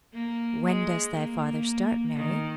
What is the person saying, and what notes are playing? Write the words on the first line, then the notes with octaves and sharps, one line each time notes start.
"When does thy father start, Mary?"
A#3
G#3
A#3
D#3